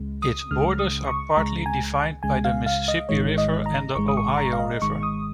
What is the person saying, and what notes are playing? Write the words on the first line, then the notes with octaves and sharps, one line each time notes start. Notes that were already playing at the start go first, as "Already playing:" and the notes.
Its borders are partly defined by the Mississippi River and the Ohio River.
Already playing: C#2 C#3 G#3
D#6
C#2 C#3 G#3 F6
D#6
C#6
C#2 C#3 G#3 A#5
G#5
C#2 C#3 G#3 G#5
F5
F5
D#5
G#1 G#2 D#3 G#3 C#5
D#5
A#5
G#1 G#2 D#3 G#3 C#6
D#6
C#6
A#5
F5
D#5
G#1 G#2 D#3 G#3 C#6
D#6